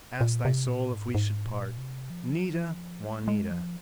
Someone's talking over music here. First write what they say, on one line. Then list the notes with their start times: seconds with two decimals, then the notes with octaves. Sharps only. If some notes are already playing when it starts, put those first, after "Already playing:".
Ask thy soul if we should part, 'Nita, Juanita!
0.21 A#2
0.45 C3
0.68 A#2
0.92 G#2
1.15 G#2
1.46 A#2
1.78 C3
2.10 F3
3.05 G#3
3.21 A#3
3.28 G#3
3.51 F3